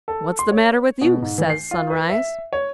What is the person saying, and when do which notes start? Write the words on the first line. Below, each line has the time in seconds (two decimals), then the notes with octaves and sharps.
"What's the matter with you?" says Sunrise.
0.08 A4
0.39 C6
0.52 C#5
1.01 B2
1.22 G#2
1.38 E3
1.50 C7
1.71 F4
1.90 B4
2.10 E5
2.53 C#5